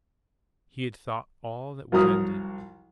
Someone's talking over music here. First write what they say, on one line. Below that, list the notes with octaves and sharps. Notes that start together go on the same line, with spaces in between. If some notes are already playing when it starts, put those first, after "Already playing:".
He had thought all that was ended.
C2 F3 F#3 A#5 D#6 F6